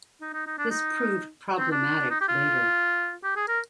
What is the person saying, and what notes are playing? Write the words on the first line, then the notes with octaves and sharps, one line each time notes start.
This proved problematic later.
D#4
D#4
D#4
D4
D#4
C4
D4
D#4
G4
F4
G4
G#4
A#4